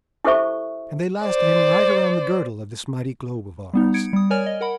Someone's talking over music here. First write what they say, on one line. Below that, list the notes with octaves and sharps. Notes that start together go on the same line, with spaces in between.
And they lasted him right round the girdle of this mighty globe of ours.
E4 G4 A4 C5 E5 C#6
C5 D5
G3 B3 D#4
G#6 C#7 D7
G3 D#6
A#4 C#5 D5 G#5 F6 G#6
D#5
A#4 F#5 B5